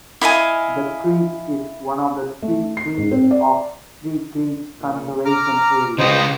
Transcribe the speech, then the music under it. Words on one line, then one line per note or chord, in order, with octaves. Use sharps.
The creek is one of the "three creeks" of Three Creeks Conservation Area.
E4 D#5 F5 G#5
A3
C7
G#2
C4
D5
A#2
A#5 D6 F6
C#3 G3 F4 C5 D#5